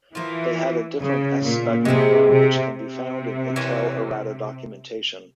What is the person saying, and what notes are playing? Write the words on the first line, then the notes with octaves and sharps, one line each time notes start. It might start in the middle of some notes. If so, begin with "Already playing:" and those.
They had a different S-Spec number which can be found in Intel errata documentation.
E3 F3 A#3 F4
C#3
A#2
C3 G#3 E4 G#4
C3
C3
E3 A#3 C#4